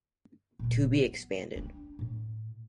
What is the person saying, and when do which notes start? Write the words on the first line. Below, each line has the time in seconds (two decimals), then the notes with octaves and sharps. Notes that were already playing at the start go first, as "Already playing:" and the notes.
"To be expanded".
0.59 D1 A#2
1.04 B3
1.56 C4 D4
1.99 A2